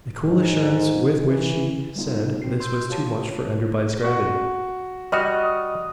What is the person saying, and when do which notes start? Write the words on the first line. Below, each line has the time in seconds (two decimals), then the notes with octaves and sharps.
The cool assurance with which she said this was too much for Enderby's gravity.
0.24 G#2
1.25 E3
1.96 G3 G#3 A#3 B3 D#4 F4
2.42 B1 C4 F#4 C7
2.60 C6 E6 G6
2.90 F4 G4 C#5 A5
4.02 F#4 C#6
5.12 G3 F#4 D#5 C#6 F6 F#6